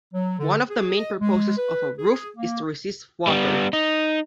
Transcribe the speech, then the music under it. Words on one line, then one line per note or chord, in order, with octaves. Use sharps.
One of the main purposes of a roof is to resist water.
F#3
D3
G#4
D#5
G#3
B4
G#4
A#3
G3 B3
D#4